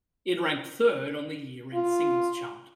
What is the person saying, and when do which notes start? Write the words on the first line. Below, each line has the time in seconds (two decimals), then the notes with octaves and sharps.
It ranked third on the year-end singles chart.
1.74 F4